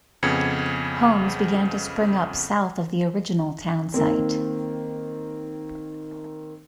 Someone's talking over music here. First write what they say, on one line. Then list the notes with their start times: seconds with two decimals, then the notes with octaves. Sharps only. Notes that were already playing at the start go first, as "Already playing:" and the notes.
Homes began to spring up south of the original townsite.
0.23 F2 C#3 B3 G#6 C#7
3.94 D#3 A#3 C4